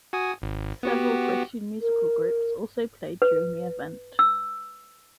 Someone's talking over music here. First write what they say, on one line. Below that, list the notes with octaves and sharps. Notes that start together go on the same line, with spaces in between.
Several Christian musical groups also played during the event.
F#4 G#5 D#6
G#1
B3 F#4 G4
A#4
B4
E6